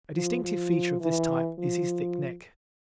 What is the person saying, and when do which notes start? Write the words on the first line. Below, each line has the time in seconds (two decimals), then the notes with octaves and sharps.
A distinctive feature of this type is his thick neck.
0.15 F3
0.44 F3
1.01 E3
1.59 F3